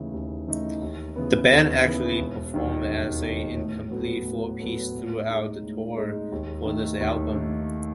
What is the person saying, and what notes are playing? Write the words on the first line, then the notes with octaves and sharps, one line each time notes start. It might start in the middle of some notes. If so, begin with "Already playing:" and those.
The band actually performed as an incomplete four-piece throughout the tour for this album.
Already playing: D#2 C#3 E3 A3 D#4
D#2
C#3 E3 A3 D#4
D#2
C#3 E3 B3
D#2
C#3 E3 B3
E1
D#2 D#3
E1
D#2 D#3
A2
F#3 B3 F#4 A4
A2
F#3 B3 F#4 A4
A2
G#3 D#4
A2
G#3 D#4
D#2
D#3 A3
D#2
D#3 A3